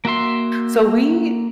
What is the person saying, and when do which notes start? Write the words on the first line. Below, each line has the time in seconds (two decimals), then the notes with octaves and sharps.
So, we
0.05 A#3 F#4 E5 C6